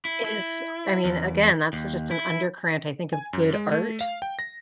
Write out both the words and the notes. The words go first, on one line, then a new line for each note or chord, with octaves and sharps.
is I mean, again, that's just an undercurrent, I think, of good art.
E4
E4
E2
D#2
E4
G#5
F#2
G#3
A3
F5
G5
A#6